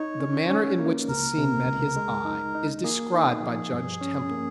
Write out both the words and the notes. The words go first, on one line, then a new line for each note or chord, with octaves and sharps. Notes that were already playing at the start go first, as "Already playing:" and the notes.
The manner in which the scene met his eye is described by Judge Temple.
Already playing: D#4 C#5
C#4
C#4
A#3
C#2 A#4
C3
C#2
G#3
D#4
D#4
A#3 G#4
D#4
F3
G2
C#4
A#3